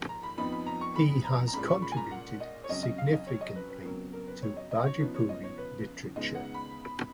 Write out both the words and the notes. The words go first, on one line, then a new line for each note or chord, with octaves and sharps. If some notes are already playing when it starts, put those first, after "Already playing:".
He has contributed significantly to Bhojpuri Literature.
Already playing: G#2 F3 A#3
A#5
B5
F2 F3 B3 D#4 B5
B5
A#5
C#6
B5
A#5
A#5
A#2 G#3 C#4 B5
C#6
B5
G#5
A#5
F#5
D#5
C#5
F2 C#3 F#3 C#4 D#5
D#5
F5
D#5
C#5
D#5
B4
B4
F2 C#3 F#3 B3 A#4
A#4
B4
C#5
D#5
D#5
C#5
C#3 F3 B3 D#4 B4
C#5
D#5
C#5
B4
C#2 C#3 G#3 B3 D#4 D#5
F#5
B5